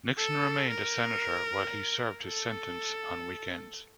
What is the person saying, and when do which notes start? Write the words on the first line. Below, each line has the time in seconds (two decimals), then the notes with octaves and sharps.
Nixon remained a senator while he served his sentence on weekends.
0.18 A4
0.70 A#4
2.24 A4